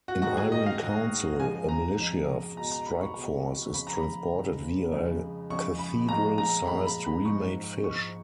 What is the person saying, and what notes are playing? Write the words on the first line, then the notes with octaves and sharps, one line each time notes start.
In "Iron Council", a militia strike force is transported via a cathedral-sized Remade fish.
F#4
G#2 D#3 G#3 F#4
G#4
D#5
F5
G#2 D#3 G#3
F2 C#3 F3 G#3 G#5
A#5
F2 C#3 F3 G#3
C#2 B2 G#3 A#5
A#5
B5
C#6
C#2 B2 G#3
F2 C#3 F3 B5
A#5
B5
F2 C#3 F3
F2 C#3 G#3
F2 C#3 G#3 C#6
B5
A#2 F3 G#3 A#5
A#5
A#2 F3 G#3 B5
B5
B5
G#2 F3 G#3 C#6
G#2 F3 G#3 C#6